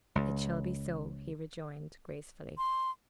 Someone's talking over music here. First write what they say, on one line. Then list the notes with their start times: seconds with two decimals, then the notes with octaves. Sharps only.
"It shall be so," he rejoined, gracefully.
0.15 C#2
2.58 C6